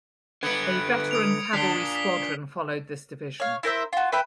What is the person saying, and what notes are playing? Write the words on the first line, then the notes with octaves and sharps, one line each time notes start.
A veteran cavalry squadron followed this division.
D3 B3 B4 G#6 C#7 D7
D#6 D7 F7
D3 D4 B6 C7 G7
A#2
B6
C#5 F5
E4 A#4 C5 E5
F4 F#4
B4 E5 G5 B5